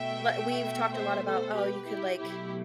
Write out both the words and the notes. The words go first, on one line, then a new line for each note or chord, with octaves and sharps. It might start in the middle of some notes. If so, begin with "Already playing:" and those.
w we've talked a lot about, "Oh, you could, like,
Already playing: B2 A3 E5 G5
C5 E5
A4 C5
G4 B4
E4 G4
B2 F#3 A3 E4 G4